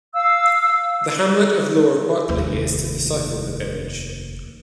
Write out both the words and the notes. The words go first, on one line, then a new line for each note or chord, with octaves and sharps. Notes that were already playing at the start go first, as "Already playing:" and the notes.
The hamlet of Lower Whatley is to the south of the village.
F5 E6
F1 D#2